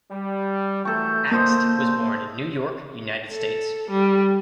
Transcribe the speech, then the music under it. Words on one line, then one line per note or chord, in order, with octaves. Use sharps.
Akst was born in New York, United States.
G3
E3 F#3 A3 A4 C#6 G6
A#2 D3 A#3 A4 C5 D#5
A4
G3